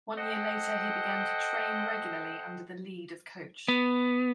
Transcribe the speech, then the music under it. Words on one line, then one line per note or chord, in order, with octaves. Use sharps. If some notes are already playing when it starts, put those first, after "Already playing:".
One year later he began to train regularly under the lead of coach.
A4 C5 D#5 F#5 G5
B3